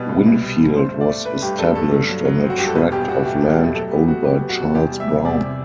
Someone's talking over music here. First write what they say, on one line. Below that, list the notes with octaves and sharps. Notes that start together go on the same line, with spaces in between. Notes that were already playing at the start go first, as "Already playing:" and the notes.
Winfield was established on a tract of land owned by Charles Brown.
Already playing: B2 G3 B4
C2
C2
G3
B2
G2 C5
A3
D5
A3
A3 B4
G2 G4
D4 A4
G2 A4
G2
F#3
F#3
C4
F#4
G2 G4
A4
B2 B4
E2 G4
B2 F#4
A3 G4
B2
G4
A3
F#3 A4
B3 G4
B3 F#4
F#3 G4
B3
F#4
C3
E2 G4
G3
E5
C3
E2 D5
C3